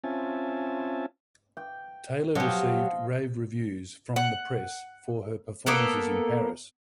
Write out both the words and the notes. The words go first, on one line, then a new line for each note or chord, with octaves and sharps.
Taylor received rave reviews from the press for her performances in Paris.
C4 C#4 F4 E5 G#5 A5
G5
F3 F#3 G4 D#5 F5
F#5
A#3 B3 A4 A#4